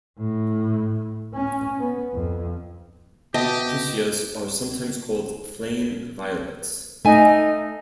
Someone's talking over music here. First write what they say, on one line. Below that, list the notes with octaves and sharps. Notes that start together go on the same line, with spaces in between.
Episcias are sometimes called "Flame violets".
A2
C#4
B3
F2
B2 B3 G4 D#5 E5 G5 A5
A3 D#4 G#5